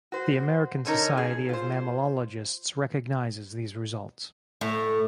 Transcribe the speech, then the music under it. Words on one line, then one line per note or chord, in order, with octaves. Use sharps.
The American Society of Mammalogists recognizes these results.
F#4 C5
D3 C#4 D#4 A#4
G#4
F4 C5
A2